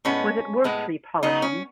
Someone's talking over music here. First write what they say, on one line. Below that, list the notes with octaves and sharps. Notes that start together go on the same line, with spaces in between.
Was it worth re-polishing?
A2 G#3 B3 C#4
A2 G#3 B3
C#3 F#3 B3 D#4
C#4